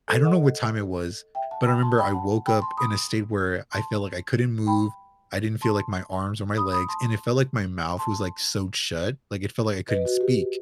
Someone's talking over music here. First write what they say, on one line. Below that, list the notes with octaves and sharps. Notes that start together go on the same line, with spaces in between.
I don't know what time it was, but I remember I woke up in a state where I felt like I couldn't move. I didn't feel like my arms or my legs, and it felt like my mouth was, like, sewed shut, like, it felt like I couldn't speak.
A4 C5
D#5 F#5
E5 G5
F#5 A5
G5 B5
A5 C6
G5 B5
F#5 A5
G5 B5
A5 C6
B5 D#6
A5 C6
G5 B5
A5 C6
B5 D#6
B5 D#6
A5 C6
A5 C6
B4 D#5
F#4
G4